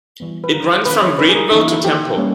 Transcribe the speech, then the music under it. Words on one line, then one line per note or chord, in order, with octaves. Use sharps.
It runs from Greenville to Temple.
E3 G3 B3
B4
A#4
D#3 A#3 C#4 B4
C#5
B4
G#4
A#4
E3 A#3 C#4 D#4
E4
G4
G3 A#3 C#4